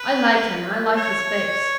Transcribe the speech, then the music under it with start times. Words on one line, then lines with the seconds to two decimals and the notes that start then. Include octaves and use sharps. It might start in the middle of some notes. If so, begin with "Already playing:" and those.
"I like him, and I like his face."
Already playing: B4
0.96 C#5